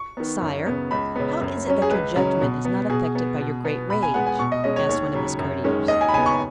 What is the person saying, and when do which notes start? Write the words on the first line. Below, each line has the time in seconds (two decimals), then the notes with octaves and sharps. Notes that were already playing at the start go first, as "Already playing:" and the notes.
"Sire, how is it that your judgment is not affected by your great rage?" asked one of his courtiers.
Already playing: C#6
0.17 D#3 B3
0.41 F#2
0.66 C#3 B3
0.91 C#2 B5
1.16 C#3 B3
1.41 F#2
1.66 F#3 C#4
1.82 G#4
1.90 C#2 B4
2.16 C#3 F#3 C#4
2.41 B2
2.65 B3
2.90 B2 G#4
3.15 B3
3.41 B2
3.65 B3
3.90 B2 B5
4.03 G#5
4.14 G#3 B3 F#5
4.27 G#5
4.39 B2 C#6
4.52 D#5
4.64 G#3 C#4 D#5
4.76 C#5
4.89 D#2 C#5
5.14 C#3 F#3
5.39 F#2
5.64 D#3 G#3 C#4
5.88 D#2 D#5
6.01 G#5
6.09 B5
6.13 C#3 B3 G#5
6.26 C#6